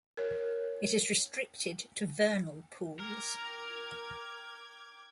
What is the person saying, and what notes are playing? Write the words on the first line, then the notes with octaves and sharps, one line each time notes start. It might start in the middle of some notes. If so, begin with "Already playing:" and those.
It is restricted to vernal pools.
A#4 C#5
A#4 G5 D6 G#6